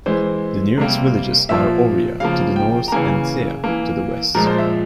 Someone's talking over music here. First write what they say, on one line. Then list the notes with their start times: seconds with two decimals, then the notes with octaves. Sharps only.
The nearest villages are Ovrya to the north and Thea to the west.
0.06 E3 G#3 C5
0.78 C3 G3 A#3
1.49 A#2 F3 A#3 E5
2.20 C#3 F3 A#3 F5
2.56 G5
2.88 A#5
2.92 C#3 E3 A#3 G#5
3.64 E3 A#3
4.35 A#2 F3 G#3 A#4
4.47 C5
4.58 E5